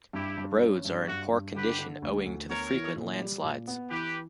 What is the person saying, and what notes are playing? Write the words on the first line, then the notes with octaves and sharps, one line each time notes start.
Roads are in poor condition owing to the frequent landslides.
G2 E4 G4
G2
C#4
G2
G2 F#4
G2
D3 G4 B4
D3
D2
D2
B3 A#4 C#5
E3
A#2
G3
A#2
B3
E3 G4 B4